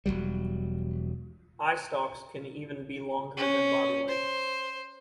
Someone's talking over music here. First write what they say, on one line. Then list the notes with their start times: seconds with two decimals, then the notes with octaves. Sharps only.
Eyestalks can even be longer than body length.
0.06 E1 C#2 F#3 G3
3.37 C#4
4.08 C5